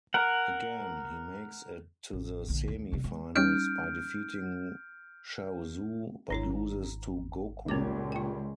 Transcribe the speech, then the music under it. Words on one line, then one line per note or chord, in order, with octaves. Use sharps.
Again, he makes it to the semi-finals by defeating Chaozu, but loses to Goku.
A#4 F#5
A1
A#1 D3
D#2
C3 G3
G#3
G3 C#4 D#4 F6 G6 D7
G#1 D4 E4 C#5 A#5
C#2 G2 A#2 B3 C#4 D6 G#6
F4 G5